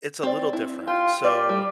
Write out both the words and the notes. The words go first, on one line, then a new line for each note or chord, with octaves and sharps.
It's a little different, so
C4 D5
E4
F4 G4
G4 D5
G3